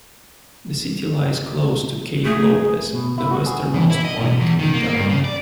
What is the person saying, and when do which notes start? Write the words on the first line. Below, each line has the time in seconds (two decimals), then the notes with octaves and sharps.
The city lies close to Cape Lopez, the westernmost point in Gabon.
2.25 A3 G#4
2.93 B2
3.18 E4
3.31 F#4
3.46 G#4
3.74 E3
3.90 E4
4.05 D#5
4.19 B2
4.40 E2
4.59 D#3
4.73 A#3
4.94 G2
5.09 C#3
5.24 D5